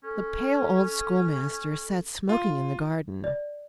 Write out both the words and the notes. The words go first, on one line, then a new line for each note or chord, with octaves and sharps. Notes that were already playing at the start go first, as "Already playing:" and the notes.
The pale old schoolmaster sat smoking in the garden.
C#4 A4
F4
D5